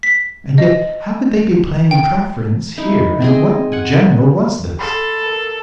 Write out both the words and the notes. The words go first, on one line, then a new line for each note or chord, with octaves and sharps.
And yet how could they be playing preference here and what general was this?
B6
D#5
G5
D#4 E4
C4 G#4 D#5
F#5 G#5
A4 B5 C6
A#4 A5